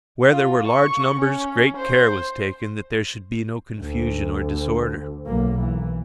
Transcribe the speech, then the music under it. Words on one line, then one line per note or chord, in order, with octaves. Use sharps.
Where there were large numbers great care was taken that there should be no confusion or disorder.
F4
C#6
C#4
C5
D2
B1 A#3
E3